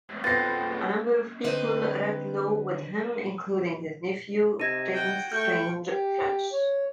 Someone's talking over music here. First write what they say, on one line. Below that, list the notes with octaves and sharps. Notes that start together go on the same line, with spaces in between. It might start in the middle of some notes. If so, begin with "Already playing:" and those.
A number of people read law with him, including his nephew James Strange French.
F2 B2 B3 C4 A6 A#6 C7
D3 C4 D#4 B4 C5
C3 D#4 D#5 G#6 A#6 D#7
F#4 G5
A3 G5 C#6 F6 G6
G4
C#5